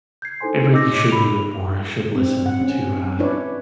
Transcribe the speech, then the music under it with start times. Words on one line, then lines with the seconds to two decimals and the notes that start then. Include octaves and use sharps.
I really should do it more. I should listen to, uh,
0.22 G6 G#6 C7
0.41 D#4 E4 A4 C5 G#5 C6
0.73 D#4 D#5 D6 E6 G6 A#6
0.93 C#5 D6
1.10 B5 F7
2.15 C4
2.46 F#5
2.61 C#4
3.19 D4 E4 B4 C#5 D5